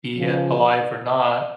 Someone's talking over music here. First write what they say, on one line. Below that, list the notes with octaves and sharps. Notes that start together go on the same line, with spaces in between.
be it alive or not,
C#3 F3